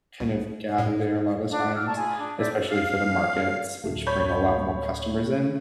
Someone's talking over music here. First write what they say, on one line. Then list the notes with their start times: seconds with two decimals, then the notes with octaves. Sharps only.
kind of gather there a lot of times, especially for the markets, which bring a lot more customers in,
0.20 C2
0.78 A2
1.51 D4 F4 D5
1.74 G5 D6 E6 F6
1.86 D5 A5 A#5 C#6
1.97 F4 G#4 G#5 B5
2.19 D4
2.38 E4 G4 C5 D5
2.70 F5
3.84 D1 G1 A3
4.07 C#5 B5 G6